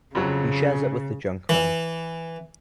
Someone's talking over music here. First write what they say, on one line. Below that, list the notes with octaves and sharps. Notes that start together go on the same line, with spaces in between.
He shares it with the junkman.
F2 C#3 F#3
E3